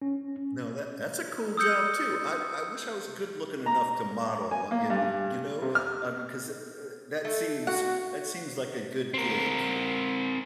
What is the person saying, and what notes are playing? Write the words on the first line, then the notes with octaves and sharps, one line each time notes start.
no that that's a cool job too. I I wish I was good looking enough to model, y y you know? I mean, 'cause eh eh that seems that seems like a good gig.
C#4
D#6 E6 G6 C#7
A#5
G#5
A#3
G2
C3
F6
A3
F#4 F#5
C4 A#4